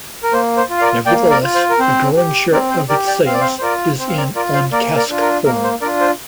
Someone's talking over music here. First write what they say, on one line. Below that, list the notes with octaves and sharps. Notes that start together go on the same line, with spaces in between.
Nevertheless, a growing share of its sales is in on-cask form.
A#4
A#3 C5
C5
F4
F5
A#4 D5
A#3 D5 G5
A#4 D5
F4
C5
A#4
C4 C5
G4
C4 A#4 D5
C5
G4 A#4 D5
D5 G5
C4 F5
D5
C5 F5
C5
F4 A#4 D5
C4 C5
F5
A#4 D5
F4 A#4 D5
C5 F5
A#3 A#4 D5
A#4 D5
D4 F4
A#4
A#3 A#4
C5
D4 F4 A#4 D5
C5